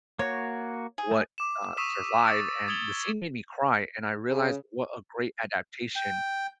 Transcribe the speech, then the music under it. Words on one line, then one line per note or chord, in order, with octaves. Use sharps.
what, uh, survive, and the scene made me cry, and I realized what a great adaptation,
A#3 F#4 C#5
G#4
A3
D6 E7
C#6 D#6 E6 B6 E7
E6 A6
D#6 G#6 C#7 D7 F#7 G7
C#3
G5